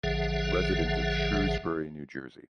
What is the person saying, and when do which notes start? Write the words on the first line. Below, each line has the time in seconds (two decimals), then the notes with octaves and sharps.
Resident of Shrewsbury, New Jersey.
0.03 A1 D3 F3 G#4 E5 F#5